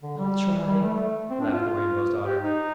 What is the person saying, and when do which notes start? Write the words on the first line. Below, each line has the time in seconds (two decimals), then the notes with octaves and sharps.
"I'll try," laughed the Rainbow's Daughter.
0.03 D3
0.18 G3
0.67 G3
0.82 A3
1.30 C4
1.41 D4
1.52 F4
1.63 F4
2.26 G4
2.43 D#4